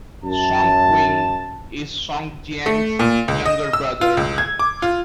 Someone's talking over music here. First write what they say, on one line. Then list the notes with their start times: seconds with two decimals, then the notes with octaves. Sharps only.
Song Qing is Song Jiang's younger brother.
0.24 F#2 A5
2.66 A3
2.99 A#2
3.28 C#2
3.46 D#5
3.73 E6
4.01 F4
4.17 C#2
4.38 G#6
4.59 D6
4.82 F4